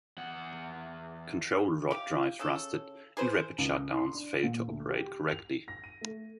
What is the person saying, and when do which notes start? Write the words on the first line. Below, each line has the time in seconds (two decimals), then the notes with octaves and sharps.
Control rod drives rusted, and rapid shutdowns failed to operate correctly.
0.18 E2 F#5
1.91 G4 F5
2.39 C#3 A4
3.17 G#4 B4 C5
3.58 C#2
3.97 C6
4.15 D4
4.43 A#2
4.67 D2
4.90 G4
5.31 F7
5.68 A#6
5.84 D#7
6.01 A3